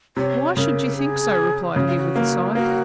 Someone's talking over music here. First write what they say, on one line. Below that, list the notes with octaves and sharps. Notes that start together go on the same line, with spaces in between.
"Why should you think so!" replied he, with a sigh.
C3 C#5
C#3 A#4
G#4
C#3 F#4
F4
F#4
A#3
A#3 F#4